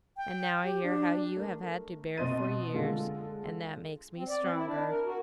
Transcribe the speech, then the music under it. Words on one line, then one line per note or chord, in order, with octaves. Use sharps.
And now I hear how you have had to bear for years, and that makes me stronger.'
G5
G4
D4
A3 A#4
B2 C4 D#5 C6 A6 D#7
D3 G#3 F4 A4
C4
D5
C4
E4
D4
A#4
F#4